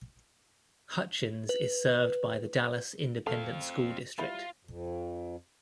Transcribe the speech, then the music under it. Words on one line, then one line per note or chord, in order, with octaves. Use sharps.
Hutchins is served by the Dallas Independent School District.
B4
A3 C4 F5
G3 E4 F4
F2